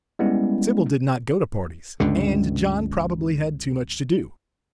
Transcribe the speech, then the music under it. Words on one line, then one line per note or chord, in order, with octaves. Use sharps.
Sybil did not go to parties, and John probably had too much to do.
G3 G#3 B3 C#4 E4
C#2 G2 D3